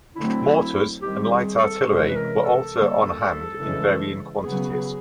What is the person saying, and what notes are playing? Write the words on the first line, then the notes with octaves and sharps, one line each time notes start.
Mortars and light artillery were also on hand in varying quantities.
D3 F#3 A3 C4 E4
D#3 G3 C4 G4
G4
G#4
A4
C3 E3 G#3 C#4
B4
A#4
A4
D3 G3 A#3
C#3 E3 G#3 C#4
C#3 F#3 B3 G#4